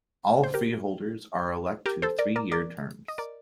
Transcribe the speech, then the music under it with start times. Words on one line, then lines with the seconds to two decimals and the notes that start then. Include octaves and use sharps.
All freeholders are elected to three-year terms.
0.44 C5
0.54 G4 A#4
1.86 G4 A#4
2.02 A4 C5
2.19 A#4 D5
2.36 A#4 D5
2.52 A#4 D5
3.08 D#5
3.18 A#4 D5